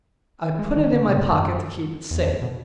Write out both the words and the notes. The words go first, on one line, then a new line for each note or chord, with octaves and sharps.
I put it in my pocket to keep it safe.
G#3
D#3
D3
C#3
C3
G2
F#2
E2
F2
B2